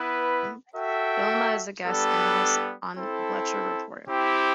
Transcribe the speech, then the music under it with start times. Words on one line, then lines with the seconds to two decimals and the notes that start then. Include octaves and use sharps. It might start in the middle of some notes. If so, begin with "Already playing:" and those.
Vilma is a guest analyst on Bleacher Report.
Already playing: B3 E4 B4
0.75 F#4 A4 E5 G5
1.85 G3 B3 D4 A4
2.96 C4 E4 A4
4.08 C4 E4 G4